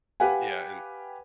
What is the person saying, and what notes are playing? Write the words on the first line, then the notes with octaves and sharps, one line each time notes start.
Yeah, and
G4 B4 F5 F#5 G#5